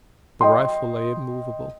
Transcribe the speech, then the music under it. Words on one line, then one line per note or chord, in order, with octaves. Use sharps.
The rifle lay immovable.
D#5 G5 C6